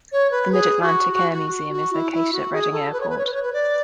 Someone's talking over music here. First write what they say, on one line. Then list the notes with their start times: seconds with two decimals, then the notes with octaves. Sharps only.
The Mid-Atlantic Air Museum is located at Reading Airport.
0.12 C#5
0.31 B4
0.52 G#4
0.82 F#4
1.12 F#4
1.32 F#4
1.52 F#4
1.73 F#4
1.93 E4
2.13 E4
2.33 F#4
2.53 G#4
2.73 A4
2.93 B4
3.01 C#5
3.09 B4
3.18 C#5
3.26 B4
3.34 C#5
3.43 B4
3.53 D5